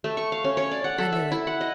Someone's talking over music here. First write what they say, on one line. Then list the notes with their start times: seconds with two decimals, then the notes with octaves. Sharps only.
"I knew it."
0.04 A3
0.17 C#6
0.32 F5
0.44 C#4
0.57 C#5
0.71 D5
0.84 F#5
0.98 A4
1.12 E5
1.32 E4
1.47 F#5
1.61 D#5